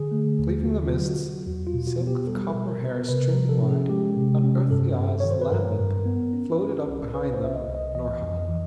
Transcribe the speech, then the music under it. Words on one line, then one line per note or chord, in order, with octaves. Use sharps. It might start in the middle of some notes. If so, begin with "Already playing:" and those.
Cleaving the mists, silk of copper hair streaming wide, unearthly eyes lambent, floated up behind them--Norhala.
Already playing: D3 G#4
A3
D#2
D3 F#4
F4
F#3
F#4
F#3
F#4
E2 F#4
F4
B2
F#4
B3
G4
G3 A4
A#4
B2
A#4
B3
A#4
C3 B4
A#4
F3
A4
C#4
G#4
G#3 G4
C3
C#4
G2 A4
G2
D#3 C#5
C5
B4
G2 A#4
G2
B3
C#4
C#4
C2
C#4 B4
C5
C2 E5
D#5
C2
D#5
E3 D#5
F2
E3